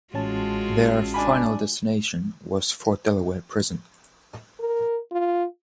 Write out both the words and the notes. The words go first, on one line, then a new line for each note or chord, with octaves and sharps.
Their final destination was Fort Delaware Prison.
A1 G#3 C#4 F4 F#4 A5
D4 G#5 B5
A#4
F4